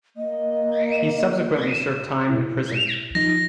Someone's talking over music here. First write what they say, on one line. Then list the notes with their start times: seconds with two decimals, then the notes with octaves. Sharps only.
He subsequently served time in prison.
0.16 A#3 D#5
2.29 B2 E4
3.15 F3 D#4 A#6